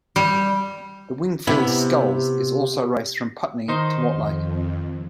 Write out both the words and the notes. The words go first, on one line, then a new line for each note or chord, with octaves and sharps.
The Wingfield Sculls is also raced from Putney to Mortlake.
G3
C3 B3 E4
D#3 D#4 C5
F2